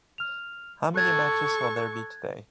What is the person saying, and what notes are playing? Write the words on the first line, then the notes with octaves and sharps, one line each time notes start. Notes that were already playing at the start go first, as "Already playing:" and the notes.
How many matches will there be today?
F6 F7
A4 C#6 F#6 G#6 A6